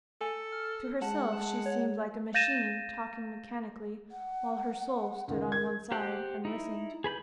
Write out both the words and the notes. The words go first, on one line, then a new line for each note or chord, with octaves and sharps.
To herself she seemed like a machine, talking mechanically, while her soul stood on one side and listened.
A4 G#5
F6
G#3 F#5 A5
A5
C#5
F5 G6 A6 A#6 D#7 E7
F#5
C#2 D#3 F#5
A#4 G#6
G4 C5 F#5 G5
D#4 E4
G#4 B4 B5 G6